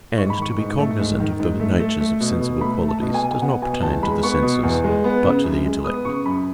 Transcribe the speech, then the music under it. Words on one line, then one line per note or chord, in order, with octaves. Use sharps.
And to be cognizant of the natures of sensible qualities does not pertain to the senses, but to the intellect.
G#2 C#6
B5
D#3 C#6
G#2
A3
G#2
D#3
G#2
A3
A3
A3
B2
B2
A3 B5
A3
A5
B2
G#5
B2
G#5
B3 F#5
B2 G#5
E2 A5
G#3 B5
B3 C#6
B2
E2
G#3
B3
C#3
F#2
G#3
B3 D#6
C#3 C#6
F#2 B5